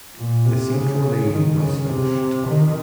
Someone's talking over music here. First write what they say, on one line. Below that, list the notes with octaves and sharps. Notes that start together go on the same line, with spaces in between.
The Central League was finished.
A#2
C3
C#3
D#3
C#3
C3
D#3